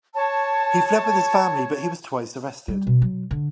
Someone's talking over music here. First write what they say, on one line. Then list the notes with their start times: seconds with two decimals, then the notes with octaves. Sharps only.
He fled with his family, but he was twice arrested.
0.14 C#5 A5
2.68 G3
2.87 B2
3.02 F#3
3.31 D3